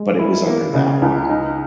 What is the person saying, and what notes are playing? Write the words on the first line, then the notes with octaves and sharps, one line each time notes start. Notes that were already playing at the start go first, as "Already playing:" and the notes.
but it was under that one.
Already playing: G#3
E4
A#3
C#3
C#2
D#4